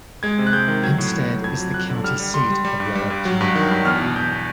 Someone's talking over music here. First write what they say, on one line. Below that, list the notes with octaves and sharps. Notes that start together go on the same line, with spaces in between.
Hempstead is the county seat of Waller County.
G#3 G#6
C3
F#6
G#3 G6
D#3
F#3 G#6
A2
A2
A2
F2 G#6
F#3
F#3 F#6
D3
G3 F6
G3
G3 C6
G3
G3
G2
G3
G2
F#3
G2
D#3
G2
E2 F6
B2
E2 G6